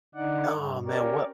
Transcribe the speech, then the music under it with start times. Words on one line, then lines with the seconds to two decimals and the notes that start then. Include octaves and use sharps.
Aw, man, what
0.15 D3 D#4 D5 F#5
0.54 G2
0.86 C#4 G4 A#4 C#5 D5